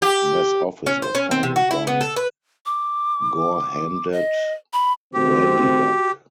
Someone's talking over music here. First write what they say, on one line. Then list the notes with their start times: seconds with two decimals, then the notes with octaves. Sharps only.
This office was founded by Gorhendad Brandybuck.
0.02 G4
0.86 C#4
1.02 C5
1.15 C#4
1.31 C4
1.43 C3
1.56 F#4
1.71 E4
1.87 B3
2.01 A4
2.16 B4
2.66 D6
4.12 D#5
4.73 B5
5.14 D#3 A3 C4 F#4 G4